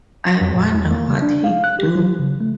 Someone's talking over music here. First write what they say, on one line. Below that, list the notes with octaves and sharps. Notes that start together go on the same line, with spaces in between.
I wonder what he'd do?
F2
A#2
E2
A#3
C#3
D4
F5
F#6
G4
F#3
C#3
A3